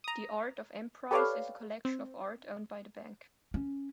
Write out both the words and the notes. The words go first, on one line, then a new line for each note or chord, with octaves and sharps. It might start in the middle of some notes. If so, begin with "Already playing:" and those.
The Art of Emprise is a collection of art owned by the bank.
A#5 D#6
G4 A4 B4 C#5 D5 F5
C4
C#4